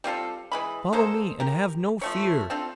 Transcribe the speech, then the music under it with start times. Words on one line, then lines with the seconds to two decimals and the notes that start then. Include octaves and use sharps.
"Follow me and have no fear."
0.04 G3 C4 F4 A4
0.52 E3 G#3 B5
0.93 G#3 A#3 A4 C5
1.40 G4 A#4
2.01 F3 A3 C#5
2.50 C4 D4 F4 A4